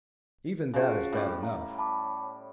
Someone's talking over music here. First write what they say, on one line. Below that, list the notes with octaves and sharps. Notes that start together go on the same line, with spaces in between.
Even that is bad enough.
C#3 F3 F#4
A2 G3
F5 A#5
A5 B5 D6